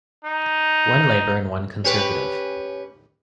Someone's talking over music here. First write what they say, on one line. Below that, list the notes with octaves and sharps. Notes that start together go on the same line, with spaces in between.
One Labour and one Conservative.
D#4
C#4 G4 B4